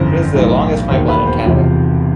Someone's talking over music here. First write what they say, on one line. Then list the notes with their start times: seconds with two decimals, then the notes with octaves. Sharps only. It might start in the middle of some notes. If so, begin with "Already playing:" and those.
It is the longest pipeline in Canada.
Already playing: G1 F2 C#3 E3 C5
0.34 B1 A2 E3
0.90 E1 D#2 D#3 C5
1.09 B4
1.27 C5
1.46 E1 E2 C3 F3